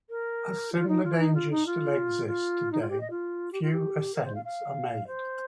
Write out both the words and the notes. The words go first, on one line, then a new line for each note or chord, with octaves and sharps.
As similar dangers still exist today, few ascents are made.
A#4
F4
D#4
F4
D#4
F4
D#4
F4
F4
D#4
F4
G4
D#5
F4
G4
F4
G4
A#4
C5
F5
F5
C5